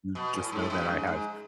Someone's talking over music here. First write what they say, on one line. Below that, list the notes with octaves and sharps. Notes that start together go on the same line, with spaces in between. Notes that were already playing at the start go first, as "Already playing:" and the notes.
You just know that I have
B2
A2
G#2
F#2
G#2
G#2